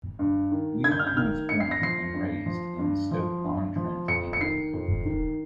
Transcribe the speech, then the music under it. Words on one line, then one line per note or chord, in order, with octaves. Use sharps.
Whelan was born and raised in Stoke-on-Trent, England.
G2
D#3
G2 G#6
G6
F6
G6
D#3 F6
G2 C#7
C7
A#6
F3 C7
G2
F3
G2
F3
G2
F3
F2 C#7
C#7
D#3 C7
F2
D#3